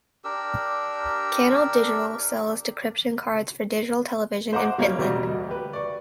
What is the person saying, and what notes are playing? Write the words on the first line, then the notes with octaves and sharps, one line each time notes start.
Canal Digital sells decryption cards for digital television in Finland.
D4 G4 A#4 E6
C5 D#5 F#5 A#5 D6
G3 A#3 C#5 A#5
E1 G3 F#4 D5 D#5
D2
G4 B4
D5 C#6